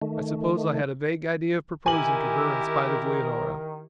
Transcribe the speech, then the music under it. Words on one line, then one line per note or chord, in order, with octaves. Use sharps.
I suppose I had a vague idea of proposing to her in spite of Leonora.
D#3 A3
D#3 E4 G4 A#4 G#5 F#7